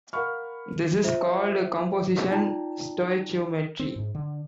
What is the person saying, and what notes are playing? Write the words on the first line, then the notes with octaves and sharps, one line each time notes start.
This is called "composition stoichiometry".
A#4 F5 F#5 B5 C#6 F6
F4 C5 E5
D#4 F4 D5 G5 A5 A#5
C4
G#2
D3